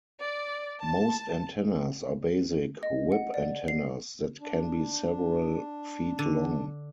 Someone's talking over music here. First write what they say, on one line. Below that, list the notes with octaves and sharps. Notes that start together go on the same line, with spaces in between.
Most antennas are basic "whip" antennas that can be several feet long.
D5
A5
D#5
F#5
D5
C7
D4
D3